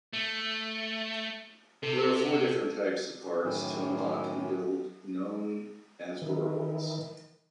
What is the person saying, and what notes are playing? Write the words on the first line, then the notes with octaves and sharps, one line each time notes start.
There are four different types of parks to unlock and build, known as worlds.
A3
C3 A4
F#2 A2 D#3 E3
D#3 E3